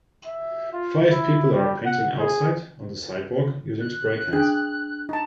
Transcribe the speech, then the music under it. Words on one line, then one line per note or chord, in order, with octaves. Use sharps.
Five people are painting outside on the sidewalk using spray cans.
E5
F4
E4
G3
F#5
G#4
F#6
D4 G#4 G5
D#4 A5